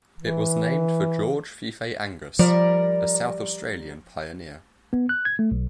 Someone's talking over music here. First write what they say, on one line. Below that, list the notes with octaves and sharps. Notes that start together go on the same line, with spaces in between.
It was named for George Fife Angas, a South Australian pioneer.
E3
F3 G3 A#4 D5
B3
F#6
G#6
A3
B1